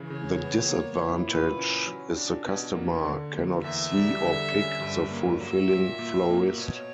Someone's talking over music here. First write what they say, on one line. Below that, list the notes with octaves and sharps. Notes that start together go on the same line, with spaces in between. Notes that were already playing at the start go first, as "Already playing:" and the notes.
The disadvantage is the customer cannot see or pick the fulfilling florist.
Already playing: C#3 E3
C#3 C#5
B3
A#3
E4
A#2 B4
C#4
F#3
D4
B2
A#3
D3
A#3
E2 E5
G3
D3
C#4
G2
A#3
F#3 E5
A#2
A#2
A#3
B2 C#5